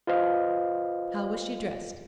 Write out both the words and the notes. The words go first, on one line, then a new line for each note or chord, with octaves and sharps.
"How was she dressed?"
F4 B4 C5 D#5 F5